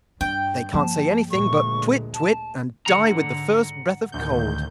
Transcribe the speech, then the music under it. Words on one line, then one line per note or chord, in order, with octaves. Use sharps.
They can't say anything but "twit, twit," and die with the first breath of cold.'
G2 D4 G5
F3 A#3 A5
D2 A#2 G#3 C#6
A5
G#2 D3 F#5 A#5
A1 D2 A#2 D#3 G6